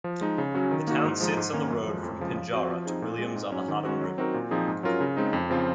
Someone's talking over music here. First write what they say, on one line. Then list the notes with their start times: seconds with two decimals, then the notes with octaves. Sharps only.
The town sits on the road from Pinjarra to Williams on the Hotham River.
0.04 F3
0.21 G#3 D#4
0.38 C#3
0.54 F#3 C#4 F#4
0.71 D#3
0.87 A#3 D#4 F#4
1.04 G#2
1.20 F3 G#3 D#4
1.37 G#2
1.53 D#3 A#3 C#4
1.70 F#2
1.86 F3 G#3
2.03 F2
2.20 C#3 F3 G#3
2.36 F3
2.53 C4 F#4
2.69 F3
2.86 C4 D#4 G#4
3.02 A#2
3.18 G#3 C4
3.35 G#2
3.52 F#3 C#4
3.68 D#3
3.85 G#3 C#4 F#4
4.01 F#3
4.18 C4 D#4 F#4 A#4
4.34 A#2
4.51 F3 C4 D#4 G#4
4.68 G#2
4.83 F#3 C#4 F4 A#4
5.01 C#3
5.17 G#3 C4 D#4
5.33 F2
5.50 C#3 F3 C4 F4